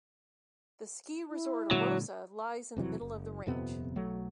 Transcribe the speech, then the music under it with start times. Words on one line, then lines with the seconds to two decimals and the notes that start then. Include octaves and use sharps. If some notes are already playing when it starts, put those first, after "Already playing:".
The ski resort Arosa lies in the middle of the range.
1.29 E4
1.71 A#2 D3 F#3 G#3
2.77 F#1 C3 E3 F#3
3.01 F#1
3.46 D#1 F2 C3 B3
3.96 B1 F#3 A3